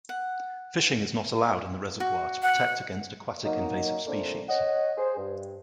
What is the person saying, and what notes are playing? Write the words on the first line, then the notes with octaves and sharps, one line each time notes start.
Fishing is not allowed in the reservoir to protect against aquatic invasive species.
F#5
F#4
F#5
F#3 A#3 D#4
A#2 D3 A3 A#3 C4 D4
C#5 D#5 F#5
G#4 C5
G2